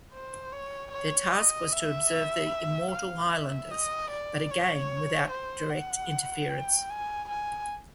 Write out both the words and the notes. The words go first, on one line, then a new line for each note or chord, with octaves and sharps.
Their task was to observe the immortal "Highlanders", but again without direct interference.
C5
C#5
C#5
D#5
E5
F5
E5
D#5
D5
C#5
C5
F#5
G5
G#5
G#5